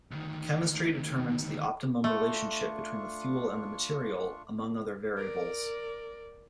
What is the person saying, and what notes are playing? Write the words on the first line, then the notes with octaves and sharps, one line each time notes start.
Chemistry determines the optimum relationship between the fuel and the material, among other variables.
D2 D#3
A3 D4 F4 C#6
A#4 D5